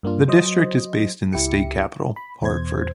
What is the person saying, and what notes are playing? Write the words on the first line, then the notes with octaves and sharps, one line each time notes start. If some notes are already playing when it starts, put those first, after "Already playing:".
The district is based in the state capital, Hartford.
G2 A#3 D4 F4
F#3 C5 D#5
C#2 E4 G4 C#7
B5
E2 B2 C5 G#6